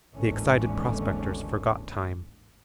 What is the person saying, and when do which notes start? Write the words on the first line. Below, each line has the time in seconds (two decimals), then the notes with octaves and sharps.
The excited prospectors forgot time.
0.15 G#1 D#2 A2 D3 E3 C#4